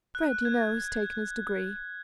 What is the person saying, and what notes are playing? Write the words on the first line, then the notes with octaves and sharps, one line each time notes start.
Fred, you know, has taken his degree.
F#6
G#6